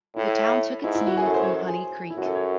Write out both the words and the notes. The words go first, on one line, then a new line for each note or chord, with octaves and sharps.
The town took its name from Honey Creek.
A2 E4
G#2 E4
E4
F#4
F#2 G#4
A4
C5
C#5
C5
G#4
E4
F#2 F#4
A4
C#5